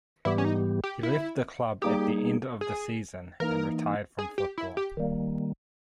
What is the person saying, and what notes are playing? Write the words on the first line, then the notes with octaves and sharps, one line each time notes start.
He left the club at the end of the season and retired from football.
G#2 E3 G3 B3 E4 G4
C#4
D#4
G4
E4
G3 A#3 D#4 G4 G#4
G#4
E3 A#3 D#4 A#4
G#4
G4
E4
G4
D#3 G3 A#3